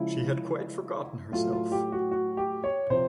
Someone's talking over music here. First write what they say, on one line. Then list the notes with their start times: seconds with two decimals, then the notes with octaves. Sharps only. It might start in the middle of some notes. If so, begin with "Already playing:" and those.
She had quite forgotten herself.
Already playing: C#3 F3 G#3 E4
1.32 A2 F#3 A3 F4
1.53 F4
1.72 G4
1.92 F#4
2.11 F#4
2.37 G4
2.64 C#5
2.90 C3 F3 C5